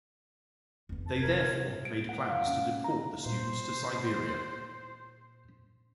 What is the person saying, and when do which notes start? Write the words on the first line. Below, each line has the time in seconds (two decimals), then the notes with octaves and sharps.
They therefore made plans to deport the students to Siberia.
0.89 F1 B3
1.06 A5
1.19 C3 A#4 G#6
1.85 D7
2.09 F#5
2.30 F5
2.47 C#4
2.84 A#5
3.26 A#2 C5